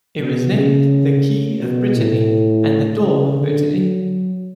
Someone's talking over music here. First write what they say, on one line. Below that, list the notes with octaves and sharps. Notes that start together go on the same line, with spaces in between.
It was named "the key of Brittany" and the door of Brittany.
B2
C#3
B2
A2
C#3
D3
F#3